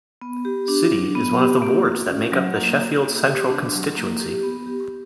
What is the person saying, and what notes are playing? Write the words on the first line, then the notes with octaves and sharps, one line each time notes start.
City is one of the wards that make up the Sheffield Central constituency.
B3
G4
D4
F#3
B3
G4
A#3
F#4
C#4
F#3
A#3
F#4
A#3
G4
D4
F#3
A#3
G4
B3
G4